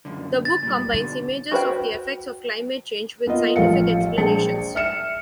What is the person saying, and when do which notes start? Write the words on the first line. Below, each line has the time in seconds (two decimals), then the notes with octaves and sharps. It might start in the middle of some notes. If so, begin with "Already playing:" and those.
The book combines images of the effects of climate change with scientific explanations.
0.05 C#2 F#2 D3
0.45 A6
0.63 A#2 G3
0.93 G#2 B2 D3
1.51 F#4 G#4 B4 C5 G5
3.26 A#3 B3 F4 D#5
3.56 A1 F3 A4 F5 C#7
4.18 A#1 G#4 C5 A5 C#7
4.75 E5 F6 C#7 E7